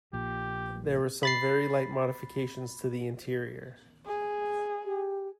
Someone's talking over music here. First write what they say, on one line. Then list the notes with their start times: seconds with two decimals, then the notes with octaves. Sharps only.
There were some very light modifications to the interior.
0.13 A#1 A#2 G4
1.23 B5 A6 C7
4.06 G#4
4.85 G4